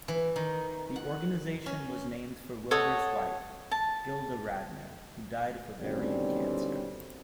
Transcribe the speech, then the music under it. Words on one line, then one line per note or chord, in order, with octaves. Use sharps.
The organization was named for Wilder's wife, Gilda Radner, who died of ovarian cancer.
E3
D#3
F#5
C#4
A4 C#5 D#5 F#5
A5
B2 D3 D#3 G3 C4 C#4